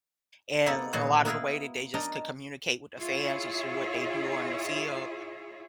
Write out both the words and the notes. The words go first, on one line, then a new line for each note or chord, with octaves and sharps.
and a lotta the way that they just could communicate with the fans is through what they do on the field
A#3 B3 D#4 A4 D5
A#2 D#3 B3 F#4 G#4
A#3 B3 E4 G#4 A#4 B5
D4 D#4 A#4 D#5
E4 F4 G#4 C#5 E5